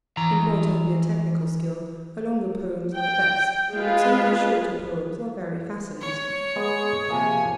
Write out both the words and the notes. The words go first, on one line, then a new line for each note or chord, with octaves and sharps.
In point of mere technical skill, her longer poems are the best; but some of the shorter poems are very fascinating.
E3 A#5
G5
G#3 F4 B4
C#5
G#3 B3 G#4
C3 F3 A#3 G#5